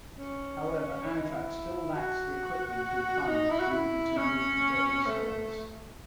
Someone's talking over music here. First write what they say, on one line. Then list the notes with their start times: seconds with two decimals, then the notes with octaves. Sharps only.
However, Amtrak still lacks the equipment and funds needed to move to daily service.
0.17 C#4
1.05 E4
1.16 D#4
1.29 E4
1.95 F#4
3.28 D#4
3.50 E4
3.60 F#4
3.69 E4
4.17 C#4
5.06 A3